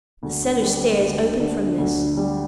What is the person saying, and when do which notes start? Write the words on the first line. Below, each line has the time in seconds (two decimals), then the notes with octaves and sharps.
The cellar stairs opened from this.
0.23 D2
0.62 G3
1.01 D2
1.40 D3
1.78 D2
2.17 G3